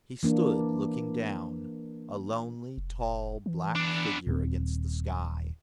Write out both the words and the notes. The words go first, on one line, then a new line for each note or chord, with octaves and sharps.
He stood looking down, a lonely, tall, black figure against the sky.
E3 A#3 D4
F1
E3
B3 D4
D#1 C4